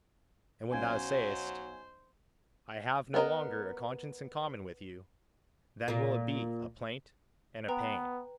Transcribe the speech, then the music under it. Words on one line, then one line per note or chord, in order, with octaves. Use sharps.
And when thou sayest, "I have no longer a conscience in common with you," then will it be a plaint and a pain.
B1 F#3 C#4 C5 F5 G#5 G#6
B3 D4 A#4 D#5 A#5
A#2 A#3
B3 B4 G5 A#5